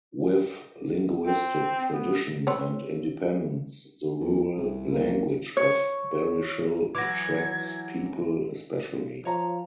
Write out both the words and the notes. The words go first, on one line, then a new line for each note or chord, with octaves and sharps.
With Linguistic Tradition and Independence the rural language of Barishal attracts people especially.
C4
B3
C4 B4 C#5
E2
C2 C3
A#3
C#5
E3 F#3 D6 G#6 A#6
F3 C#5 A#5